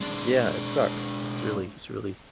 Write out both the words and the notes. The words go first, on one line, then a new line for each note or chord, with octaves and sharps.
Yeah, it sucks. It's really it's really
G#3 D4